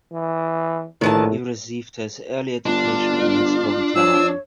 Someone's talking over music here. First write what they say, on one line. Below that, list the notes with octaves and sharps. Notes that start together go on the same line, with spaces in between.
He received his early education in his hometown.
E3
A#1 A2 D#3 E3 A5
G1 D4 F4
F3 C#5 E6